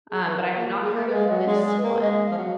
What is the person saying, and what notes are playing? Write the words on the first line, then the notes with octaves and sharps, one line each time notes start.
um, but I have not heard of this one.
G#4
B4
A#4
A#3 F4
G#4
A#3
B4
G#3
F5
F#3 D#5
G#3
D5
G#3
B4
A#3
G#3 D#5
F5
F3
F#3